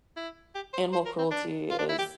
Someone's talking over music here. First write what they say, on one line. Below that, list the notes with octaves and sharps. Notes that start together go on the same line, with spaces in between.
animal cruelty is
E4
G4
C5
C5
A#4
C4
D4
F4
D4
E4
G4